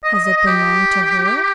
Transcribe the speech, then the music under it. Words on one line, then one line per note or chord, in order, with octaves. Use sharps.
Has it been long to her?
D#5
D#5
D#5
D#5
G4